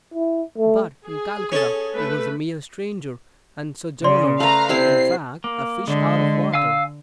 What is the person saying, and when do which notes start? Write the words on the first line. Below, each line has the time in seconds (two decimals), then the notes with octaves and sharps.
But in Calcutta he was a mere stranger and sojourner-in fact a fish out of water.
0.14 E4
0.58 A3
1.06 G#4
1.52 C#4 A4
1.95 A3 B4
4.04 C#3 D5 C6
4.40 A3 B4 F5 A#5
4.69 C3 E4 A#5 C7
5.44 A#3
5.88 D3 G#3
6.54 F5 G#5 E6